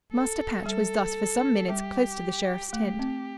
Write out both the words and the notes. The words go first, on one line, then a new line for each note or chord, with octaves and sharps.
Master Patch was thus for some minutes close to the Sheriff's tent.
A4
G3 A4
G3 G4
A3 G4
C4